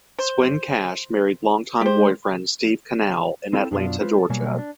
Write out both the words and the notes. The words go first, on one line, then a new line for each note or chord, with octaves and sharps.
Swin Cash married longtime boyfriend Steve Canal in Atlanta, Georgia.
C5
G#3 G4 C5
C4 E4 A4 G5
F#2 B2 D4 F4
G#3 F4 B4 C5
A4
B2 F#3 G3 A#3 G#5
D4